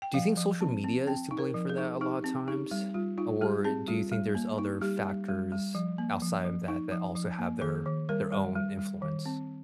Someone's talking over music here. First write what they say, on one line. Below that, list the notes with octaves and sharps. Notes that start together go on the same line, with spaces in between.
do you think social media is to blame for that a lot of times? Or do you think there's other factors outside of that that also have their their own influence?
G5
F3 F5
F3
C4
C4
C4 G5
D#4
A#4
F3
G#4
D#4
D#4 G4
C4
D#4 G4
G3
G3 F4
D#4 F4
G3 G4
C4 G#4
G3 F4
G3
A#3
D#4
G3 G4
G3
G3
G3
F3
A#3
F3
F3
D#4
F3
F3
A#3
D#3 G#4
D#3
G3 A#4
G3
G3
G3
D#3
C4